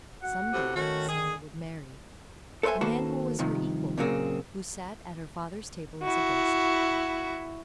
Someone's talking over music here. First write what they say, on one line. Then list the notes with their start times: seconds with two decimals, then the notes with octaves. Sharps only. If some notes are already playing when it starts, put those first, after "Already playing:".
Some day Sara would marry--a man who was her equal, who sat at her father's table as a guest.
0.22 F#4 F#5
0.53 A2 C3
0.76 D#3 A3 C#4 F#4
1.08 G#4
2.63 A4 B4 C5 D5 E5 G#5
2.81 D#3 A#3 F#4 A4 B4 C5
3.39 G2 C3 D#3 F3
3.98 A#2 C#3 F#3 A#3 C4 G#4
6.02 E4 F#4